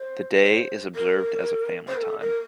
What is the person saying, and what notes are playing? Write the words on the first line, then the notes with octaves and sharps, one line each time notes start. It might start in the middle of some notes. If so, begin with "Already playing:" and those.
The day is observed as a family time.
Already playing: C5
C5
A#4
C5
A#4
A4
A#4